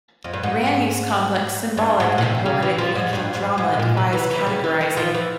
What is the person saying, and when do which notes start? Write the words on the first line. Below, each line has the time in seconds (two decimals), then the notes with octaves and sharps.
Reaney's complex symbolic and poetic regional drama defies categorizing.
0.24 F2
0.33 G2
0.43 G#2
1.77 G2
2.00 G#2
2.18 A#2
2.23 C3
2.46 C#3
2.62 E3
2.78 F3
2.95 G#2
3.13 G2
3.35 G#2
3.58 G#2
3.73 C3
3.79 A#2
3.97 C3
4.13 E3
4.31 E3
4.46 C#3
4.64 E3
4.81 E3
4.97 F3
5.14 E3